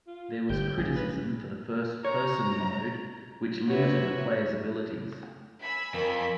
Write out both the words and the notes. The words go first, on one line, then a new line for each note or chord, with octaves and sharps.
There was criticism for the first person mode, which limited the player's abilities.
F4
G1 G4 G6
A#1 C#3 G#4
B4
C#5 A#5
C3 F#4 B4 C#5 E5
G#5 B5 E6 B6
F2 A#4